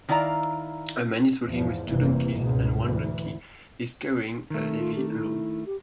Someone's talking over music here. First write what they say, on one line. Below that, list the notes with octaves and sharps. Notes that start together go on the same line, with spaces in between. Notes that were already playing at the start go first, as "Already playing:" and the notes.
A man is walking with two donkeys and one donkey is carrying a heavy load.
D#3 E4 D5 F5 A#5
E2 G#2 F3
F1 G2 C3 E3 A#3
C#2 G#2 B2
D2 E3
D#3 A3
F4
G4
E4
G4